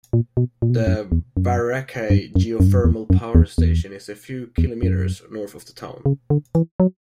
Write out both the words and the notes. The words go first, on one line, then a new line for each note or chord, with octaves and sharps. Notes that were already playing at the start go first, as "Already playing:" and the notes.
The Wairakei geothermal power station is a few kilometres north of the town.
A#2
B2
A#2
B2
A#2
F#2
E2
F#2
G2
F#2
F#2
G2
F#2
E2
F#2
E2
E2
E2
F#2
C#3
D3
E3
F#3